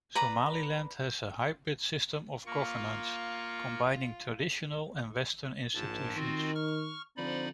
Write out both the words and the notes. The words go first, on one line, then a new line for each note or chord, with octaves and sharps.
Somaliland has a hybrid system of governance combining traditional and western institutions.
B4 D5 A#5 B5
A#3 F4 C#6
A#1 G#2 A5 A6
D#3 C4 F4 F#4
C#6 F6
D3 F3 C4 D#4 D5 B5